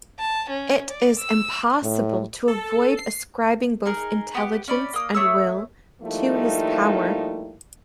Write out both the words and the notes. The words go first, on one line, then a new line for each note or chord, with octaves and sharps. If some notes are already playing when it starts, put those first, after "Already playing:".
It is impossible to avoid ascribing both intelligence and will to this power.
A5
C#4
D5
E6
A2
A4
C7
D#4 G#4 A#4
B3 G4
C#4 D5 B5
A#3 D#6
A3 C#5 D#6 E6
F3 G3 A3 A#3 D#4 E4